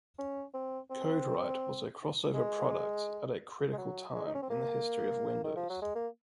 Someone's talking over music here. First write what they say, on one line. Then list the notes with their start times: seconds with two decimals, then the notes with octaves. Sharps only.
CodeWright was a crossover product at a critical time in the history of Windows.
0.18 C#4
0.54 C4
0.91 C4
2.34 G#3
3.73 G#3
3.78 F#3
4.15 G#3
4.27 D#4
4.35 C#4
4.43 C4
4.50 A#3
5.44 D#3
5.56 F3
5.69 F#3
5.82 G#3
5.95 A#3